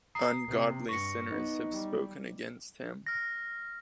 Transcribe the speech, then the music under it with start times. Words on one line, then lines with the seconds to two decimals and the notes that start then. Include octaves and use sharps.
Ungodly sinners have spoken against him.
0.15 A#5 D#6 C7
0.47 C3
0.89 G2 C#6 A#6 C#7
1.30 B3 D#4
1.71 G3
3.07 F6 A#6